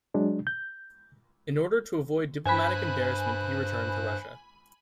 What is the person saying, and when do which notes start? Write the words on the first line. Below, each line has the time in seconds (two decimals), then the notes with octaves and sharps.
In order to avoid diplomatic embarrassment he returned to Russia.
0.14 F#3 G#3 D4
0.47 G6
2.46 G2 C5 G#5 B5 F#6